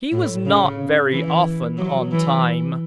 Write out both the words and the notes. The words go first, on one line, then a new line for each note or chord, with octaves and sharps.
He was not very often on time.
A2
C#3
E3
F#3
E3